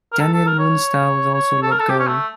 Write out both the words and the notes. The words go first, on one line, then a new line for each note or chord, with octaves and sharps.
Danielle Moonstar was also let go.
A#4
A4
A4
A#4
C#5
C#5
A4
A#4
A4
G4
C#4
A3